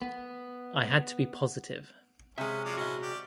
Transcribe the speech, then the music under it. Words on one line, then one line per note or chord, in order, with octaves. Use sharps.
I had to be positive.
B3
C3 G#3 C#4 E5
F3 F#3 D5
C#4 E4 F#4 D#5
G4 D5